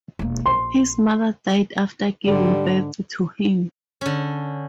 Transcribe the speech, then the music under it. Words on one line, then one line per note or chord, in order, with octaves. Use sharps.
His mother died after giving birth to him.
E1 A#3
A#1 C6
G#2 D3 G3
D3 C#4